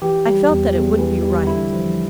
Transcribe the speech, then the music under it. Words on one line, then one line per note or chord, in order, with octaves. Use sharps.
I felt that it wouldn't be right.
E3 G4
G3
E2
E2
E3
G3
D3 E4
F3